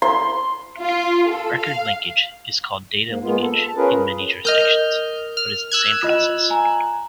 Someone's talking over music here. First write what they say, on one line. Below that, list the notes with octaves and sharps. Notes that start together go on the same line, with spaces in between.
Record linkage is called data linkage in many jurisdictions, but is the same process.
C6
F4
A4
F5
G#2 A#3
G#3 A#3 B3 F4
A4
A5
C#4 F4 G#4 A#4 B4
A#4 D#5 F6 G6
F6
E6 F#6 G#6
F4 D#5 E7
G#5 A#5